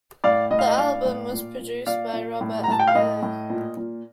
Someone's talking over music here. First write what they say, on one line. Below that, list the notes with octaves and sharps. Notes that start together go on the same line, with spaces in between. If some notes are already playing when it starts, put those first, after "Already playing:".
The album was produced by Robert Appere.
A2 D5 F5
A2 D#5
F5
D#5
A2 D5 F5
A2
A#2
A#2
A#2 D5 F5
A#2
A2
A#5
A2 A5
G5
F5
A2 D#5
A2
A#2
A#2